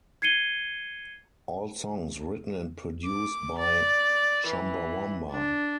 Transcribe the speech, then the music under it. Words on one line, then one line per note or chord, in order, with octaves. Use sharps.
All songs written and produced by Chumbawamba.
G#6 C7 C#7 D#7 G7
D6
D5
E3
D4